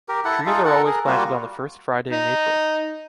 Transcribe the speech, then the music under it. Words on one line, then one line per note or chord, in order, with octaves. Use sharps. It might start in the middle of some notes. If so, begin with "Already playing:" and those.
Trees are always planted on the first Friday in April.
G4 A#4
E4 A4 F#5
D#4 F4 G#4 A4
A4 A#4 F#5
G#4 A#4
G3 A#3 F4 F#4
D#4